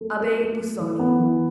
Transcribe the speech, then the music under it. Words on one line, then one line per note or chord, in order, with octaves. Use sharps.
"Abbe Busoni."
A3
A3
A3
A3
E3
B3
E3